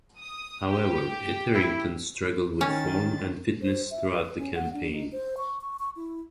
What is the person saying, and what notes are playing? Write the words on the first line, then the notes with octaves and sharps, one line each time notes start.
However Etherington struggled with form and fitness throughout the campaign.
D#6
G4
E4
D#3 C#4 A6
C5
E5
B4
C#4
F#5
D4
D#4
C5
C#6
C#6
C#6
E4